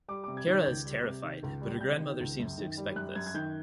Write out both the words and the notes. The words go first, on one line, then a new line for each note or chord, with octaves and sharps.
Cara is terrified, but her grandmother seems to expect this.
G3 D6
D6
C3
G#6
D#3 G6
C#2 G6
G3
C3
D#3
C#2
G3
C3 G6
D#3
C#2
F#2
D#3
G3
F#2 F#6
F#2 G#6
G#6
D#3 G6